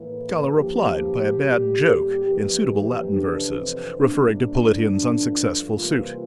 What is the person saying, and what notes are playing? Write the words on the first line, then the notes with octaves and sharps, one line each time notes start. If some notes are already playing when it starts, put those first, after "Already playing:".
Scala replied by a bad joke, in suitable Latin verses, referring to Politian's unsuccessful suit.
Already playing: A2 E3 A#3
G2 F3 A#3 G4
A2 G3 A#3
F2 E3 A#3 G4
F2 C3 E3 D4
C4
C3 G3 A#3 D4
G2 F3 A3
C3 E3 G3 A#3 F4